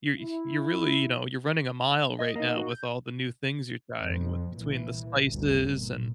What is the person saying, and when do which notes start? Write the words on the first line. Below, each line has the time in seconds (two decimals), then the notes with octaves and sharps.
"You're you're really, you know, you're running a mile right now with all the new things you're trying with" between the spices, and,
0.18 E4
2.19 D#5
2.36 A#3 D#4
2.57 F#4
2.71 G6
4.01 F2
4.53 C2 A#2 E3
5.24 G1 D2
5.75 A#2